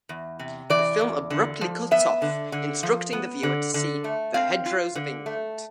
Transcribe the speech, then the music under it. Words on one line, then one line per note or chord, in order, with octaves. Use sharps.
The film abruptly cuts off, instructing the viewer to see 'The Hedgerows of England'.
E2
C3
E3 D5
E2
D3
F3
B3 E5
D3
D3
F3
B3
D3
D3
A3
C4 F5
F4
D3
A3